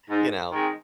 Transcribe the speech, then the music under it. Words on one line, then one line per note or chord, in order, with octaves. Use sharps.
you know,
G#2
D#3 G#3 C4